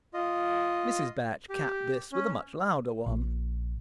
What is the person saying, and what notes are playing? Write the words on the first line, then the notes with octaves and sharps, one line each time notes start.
Mrs. Batch capped this with a much louder one.
F4 D#5
G4
C#4
A#1